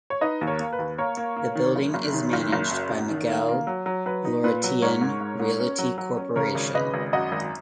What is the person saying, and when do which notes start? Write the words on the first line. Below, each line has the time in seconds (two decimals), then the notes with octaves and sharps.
The building is managed by Magil Laurentian Realty Corporation.
0.10 C#5
0.21 D#4 B4 D#5
0.41 D#2
0.47 A#4 C#5
0.60 A#3
0.73 B4
0.79 D#2
0.98 A#3 A#4 C#5
1.17 A#3
1.36 A#3
1.55 D#3
1.76 F#1
1.94 F#1
2.13 D#3
2.33 F#1
2.53 F#1
2.71 F#2
2.90 F#1
3.10 D#3
3.29 A#3
3.48 A#3
3.67 F#3
3.86 F#3
4.06 F#3 B4
4.25 D#4
4.44 A#2 B4
4.63 F#3
4.82 G#2 A#4 C#5
5.01 G#2
5.21 G#2
5.40 G#2
5.60 C#4
5.78 F#3
5.98 F#3
6.17 C#4
6.36 C#3 A#4 C#5
6.55 G#1
6.74 C#3 B4 D#5
6.94 G#1
7.13 F#2 D#5 F#5
7.32 G#1